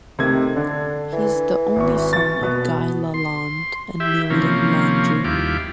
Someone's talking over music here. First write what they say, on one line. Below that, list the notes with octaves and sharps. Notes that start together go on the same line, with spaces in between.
He is the only son of Guy Lalande and Myriam Landry.
C3 D#3 A3 G#6
D3 D4
E3
G#1 C#6
C#6 A6
B2 B3
C6
E4 G4 E5
C3 F3 A#3 C#4
D#2 G3 E4 F4 D6